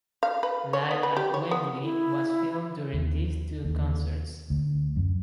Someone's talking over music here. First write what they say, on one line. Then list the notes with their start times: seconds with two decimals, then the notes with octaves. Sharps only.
"Live at Wembley" was filmed during these two concerts.
0.23 F5
0.43 B4
0.73 C#5
0.91 B3
1.03 B4
1.17 G4
1.34 C#5
1.51 B3
1.82 E4
2.93 D#2
3.65 D#2
4.50 D2
4.96 F#2